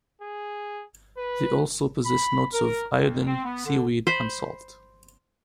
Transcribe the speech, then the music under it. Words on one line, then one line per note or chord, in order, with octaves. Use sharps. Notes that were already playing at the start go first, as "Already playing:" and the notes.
They also possess notes of iodine, seaweed and salt.
G#4
B4
B5
A#4
F2
C4
B3
D3
C5 B5